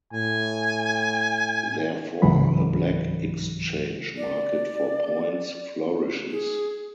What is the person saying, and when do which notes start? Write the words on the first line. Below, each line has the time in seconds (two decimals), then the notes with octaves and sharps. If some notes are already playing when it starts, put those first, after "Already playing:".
Therefore, a black exchange market for points flourishes.
0.13 A2 G#5
2.22 C#2 G#2 E3 F#3 B5
4.17 D5
6.31 G#4